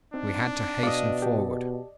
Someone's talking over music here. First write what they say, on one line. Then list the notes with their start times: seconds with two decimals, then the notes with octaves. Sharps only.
We had to hasten forward.
0.14 C4 D4 D#4
0.83 B2 D5 D#5 F5
1.22 G4 A5